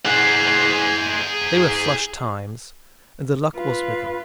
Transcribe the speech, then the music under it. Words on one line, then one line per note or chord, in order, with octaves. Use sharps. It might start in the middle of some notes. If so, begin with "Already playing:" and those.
They were "flush times," and the luck was with them.
G#4 F#5
F4 B4